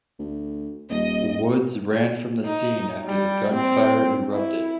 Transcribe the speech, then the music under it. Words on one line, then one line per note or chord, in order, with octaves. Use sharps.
Woods ran from the scene after the gunfire erupted.
D2
D#1 D#5
D#4
G3
C4
E4